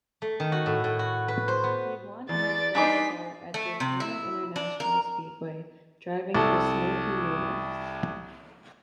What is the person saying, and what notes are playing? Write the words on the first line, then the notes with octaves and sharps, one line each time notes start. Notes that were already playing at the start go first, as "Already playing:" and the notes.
He won in his first start, at Daytona International Speedway driving for Smokey Yunick.
A3
D#3
F#4
A2
A2
F#4
B4
C5
B3
E2 D5 A6
G2 D4 D#4 G#4 C6 D6 B6
A3
C3
E4
D4
A#4
C2 A4